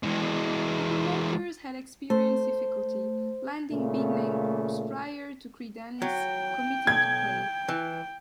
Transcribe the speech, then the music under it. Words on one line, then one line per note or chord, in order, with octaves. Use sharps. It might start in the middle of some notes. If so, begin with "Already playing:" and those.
The promoters had experienced difficulty landing big-name groups prior to Creedence committing to play.
E3 G#3
A3 C5
A#2 C#3 A3
F#3 G5
B1 G#6
E3